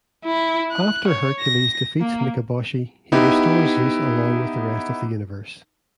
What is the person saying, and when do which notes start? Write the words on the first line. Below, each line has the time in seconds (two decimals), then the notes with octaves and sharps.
After Hercules defeats Mikaboshi he restores Zeus along with the rest of the universe.
0.25 E4
0.72 F#6
1.08 C#5
1.41 A#6
2.01 A#3
3.12 B3 D#4 E4 G4